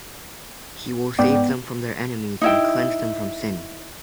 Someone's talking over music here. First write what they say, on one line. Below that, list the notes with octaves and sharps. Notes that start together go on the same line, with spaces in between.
He will save them from their enemies and cleanse them from sin.
G#2 B3 D5 G5
D#4 E4 G5